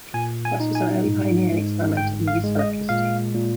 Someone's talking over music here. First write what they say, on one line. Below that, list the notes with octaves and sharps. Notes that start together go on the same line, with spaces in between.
Crosse was an early pioneer and experimenter in the use of electricity.
A#2 G#5
G#5
D#4
G#5
G#2
G#2
G1 G5
F5
G#3
D#5
A#2 F5
A#2